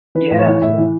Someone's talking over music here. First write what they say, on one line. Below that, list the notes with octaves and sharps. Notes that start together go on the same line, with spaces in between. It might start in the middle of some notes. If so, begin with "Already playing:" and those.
Yeah, yeah.
E3 B4
A2
C#5
E3
A2 E5
E3